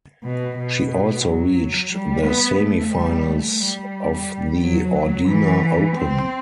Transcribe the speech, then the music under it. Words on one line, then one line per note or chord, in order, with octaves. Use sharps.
She also reached the semifinals of the Ordina Open.
B2
B2
F#3
G3
B3
A3
G3
A3
G3
F#3
E3
C4